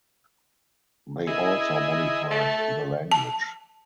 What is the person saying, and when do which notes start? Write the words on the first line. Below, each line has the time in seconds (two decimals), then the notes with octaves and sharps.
They also modified the language.
1.27 E4 G#4 D#5
2.31 A3 A4
3.12 A5